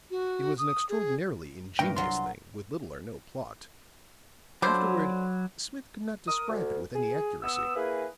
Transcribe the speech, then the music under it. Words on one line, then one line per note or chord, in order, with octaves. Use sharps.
It was an extraordinarily ingenious thing, with little or no plot; afterward Smith could not describe it with any accuracy.
F#4
D#6
G#4
G2 A#2 A3 A#4 G5
C2 F#3 F4 C6
D3 F3 F#3 C5 B5 D6
A#4 D#6
D2
G#4
B3 D#6 E6
A#3 E4 G#4 B4